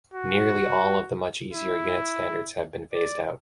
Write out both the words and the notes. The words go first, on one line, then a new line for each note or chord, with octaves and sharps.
Nearly all of the much easier Unit Standards have been phased out.
F#4
E4
D5